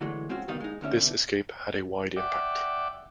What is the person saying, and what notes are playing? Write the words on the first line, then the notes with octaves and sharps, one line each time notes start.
This escape had a wide impact.
D3 E3 F#3 G#3 A3
G#3 C4 C#4 F4 F#4
D2 B2 D#3 G3 D#4 F5
G#3 D#4
D2 D3 C#4 E5
B2 D3
D5 E5 F#5 G5 D6